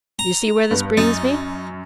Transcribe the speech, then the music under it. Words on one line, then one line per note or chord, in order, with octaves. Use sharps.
You see where this brings me?
A#5
G2 B3
F#2 D#4 A6